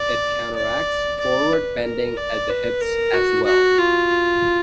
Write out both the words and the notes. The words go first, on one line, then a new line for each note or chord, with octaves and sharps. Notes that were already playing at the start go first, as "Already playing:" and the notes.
It counteracts forward bending at the hips as well.
Already playing: D5
D5
D5
B4
A#4
D5
B4
A#4
F#4
F#4
F4